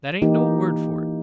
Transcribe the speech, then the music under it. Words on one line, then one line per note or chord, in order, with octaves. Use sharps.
'That ain't no word for it.
E3 A#3 D#4 G4